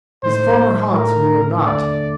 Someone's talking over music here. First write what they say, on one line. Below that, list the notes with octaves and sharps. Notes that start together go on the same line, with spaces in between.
His former haunts knew him not.
A2 A3 D#4 C5
A2 A3 D#4 A#4
D#2 D3 A3 D4 D5